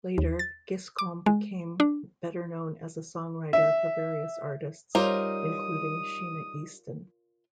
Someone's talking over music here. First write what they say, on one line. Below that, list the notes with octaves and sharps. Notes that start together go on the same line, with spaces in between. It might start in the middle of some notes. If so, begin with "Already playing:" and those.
Later Giscombe became better known as a songwriter for various artists, including Sheena Easton.
D#2
A6
D6
G#3
D4
E5
G3 D#4 F4 A#4 C5 C#5 D6 D#6